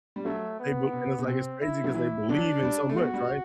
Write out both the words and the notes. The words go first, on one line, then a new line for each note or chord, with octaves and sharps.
they b and it's, like, it's crazy 'cause they believe in so much, right,
G3
F#3 A3
B3
C3
B2
C3 C4
E4
F#3
E3 E4
F#3 D4
G3
A3
B3 F#4
G3